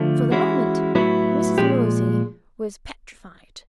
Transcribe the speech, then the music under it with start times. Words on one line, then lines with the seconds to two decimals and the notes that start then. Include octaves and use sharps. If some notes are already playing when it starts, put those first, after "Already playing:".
For the moment, Mrs. Mosey was petrified.
Already playing: D3 F3 A3
0.31 E3 G#3 C#4 E4 F#4
0.95 A2 F#3 B3 E4
1.58 A#2 F3 G#3 G4